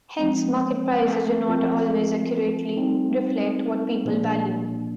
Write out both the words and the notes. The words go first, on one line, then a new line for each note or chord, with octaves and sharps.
Hence market prices do not always accurately reflect what people value.
F3 G#3 C4
F3 C4 F4 A#4
G3 C4 D#4
A#2 F3 A#3 D4